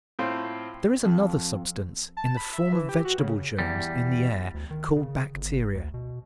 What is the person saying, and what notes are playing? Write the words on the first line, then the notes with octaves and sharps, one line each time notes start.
There is another substance in the form of vegetable germs in the air called bacteria.
A2 C4 F4 C5
F2
A5
B5
E5
E3
G4
F#4
C#3
E2 G3
D2
D#3
C#3
G1
D2
B2